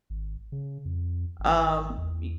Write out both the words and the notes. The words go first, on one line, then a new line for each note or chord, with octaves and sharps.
um, eh
G#1
C#3
F2
G#1
E2